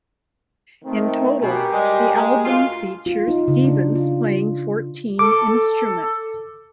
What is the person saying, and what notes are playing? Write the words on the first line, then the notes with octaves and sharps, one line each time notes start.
In total the album features Stevens playing fourteen instruments.
D#3 A3 C4
B2 G4 A#4 G#5
G3 G#3
G#3
D2 F4
F4
D#4
C#3
D4
F4
A4 D6